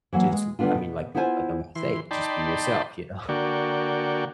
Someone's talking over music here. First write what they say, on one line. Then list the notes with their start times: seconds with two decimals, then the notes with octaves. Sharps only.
just, u I mean, like, uh, like I'm gonna say, just be yourself, you know?
0.13 E3 F#3 A#3
0.32 G#3
0.59 D3 G3 G#3 B3 D4 F4
0.75 B2
1.15 B3 E4 F4 C5 F5 G#5
1.75 E3 C6
2.11 D#4 D5 G5 A5 B5 C6
3.29 D3 A#3 F#4 D5 G5 C#6